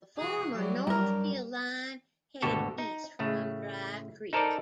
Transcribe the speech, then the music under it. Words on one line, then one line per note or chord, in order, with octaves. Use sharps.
The former Northfield line headed east from Dry Creek.
E3 F#4 G#4
E3 F#3 G3
G2 F#3 G3 A#4
G#1 D2 B2 F#4 G4 A4
D#4
A2 C#3 A3
D#4 A4 A#4 C5 D5 A5